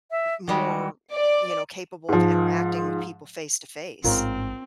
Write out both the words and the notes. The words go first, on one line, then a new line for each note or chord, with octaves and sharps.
m more, y you know, capable of interacting with people face to face.
E5
D#3 G3 G#3 F#4
D5
G#2 F3
A1 G#2 C4 F4 A#4 C#5